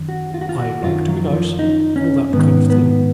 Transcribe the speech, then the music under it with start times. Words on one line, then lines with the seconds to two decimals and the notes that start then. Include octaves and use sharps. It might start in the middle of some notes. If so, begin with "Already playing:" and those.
I like to be nice, and all that kind of thing.
Already playing: F#2 D#3
0.09 F#4
0.34 F4
0.41 F#4
0.49 F4
0.59 F#4
0.84 F#2 D#3 F4
1.09 F#3
1.33 F3
1.59 D#4
1.96 C#4
2.33 G#2 D#3 B3
2.70 B3